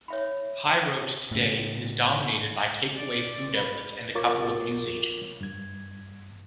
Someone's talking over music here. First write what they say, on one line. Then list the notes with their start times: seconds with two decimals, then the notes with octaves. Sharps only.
High Road today is dominated by take-away food outlets and a couple of newsagents.
0.08 C#5 E5 B5
1.31 A2 C#3
2.97 D5
3.54 B4
4.15 F4 A#4 C#5 C#6 D6 A6
5.41 G2 G#6